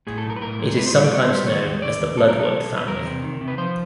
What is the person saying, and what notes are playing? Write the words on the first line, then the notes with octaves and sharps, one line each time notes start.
It is sometimes known as the "bloodwort family".
A2 G#4
A4
B1
A#4
B4
A2 A#4
G#3
A2 B4
C5
G3 C#5
D5
G3 C#5
C5
G3
C5
D#3 C#5
D#2
D#2 D5
D#2
B1 A4
A#4
B1 A4
B1
B1
B4
E2 A#4
C3
D#3
C3
B4
F3 C5